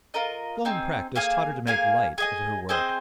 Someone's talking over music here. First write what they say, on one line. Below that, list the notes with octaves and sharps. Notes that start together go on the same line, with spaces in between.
Long practice taught her to make light of her work.
F4 A#4 D#5
C4 D#4 G#4
A#3 G#4 F5 G#5
A#3 G#4 F5 G#5
G#4 D#5 G#5
C4 G#4 C5 D#5